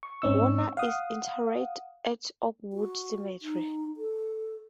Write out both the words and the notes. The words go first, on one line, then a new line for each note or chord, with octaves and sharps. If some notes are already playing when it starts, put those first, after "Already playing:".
Warner is interred at Oakwood Cemetery.
C#6
G#2 C4 C#4 D#4 C#6 E6
F5 F#5 D#6
F#4
D#4
A4